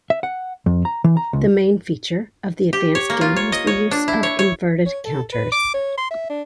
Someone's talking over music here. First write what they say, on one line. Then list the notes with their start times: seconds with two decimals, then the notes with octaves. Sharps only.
The main feature of the advanced game was the use of inverted counters.
0.10 E5
0.23 F#5
0.66 F2
0.85 A#5
1.04 E3
1.17 A#5
1.33 C#2
2.73 G4
2.95 C#5
3.10 A#3
3.21 F4
3.36 C#5
3.52 D#5
3.67 C#5
3.91 D4
4.08 E4
4.23 C#5
4.39 C#5
4.86 C#5
5.05 A4
5.33 B4
5.52 D6
5.74 C#5
5.97 C6
6.10 E5
6.30 D4